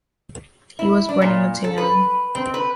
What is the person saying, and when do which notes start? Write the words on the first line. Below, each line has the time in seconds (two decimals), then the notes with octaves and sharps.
He was born in Nottingham.
0.79 E4
1.09 D4
1.22 A#2
1.64 A4
1.78 B4
2.35 C4
2.54 B4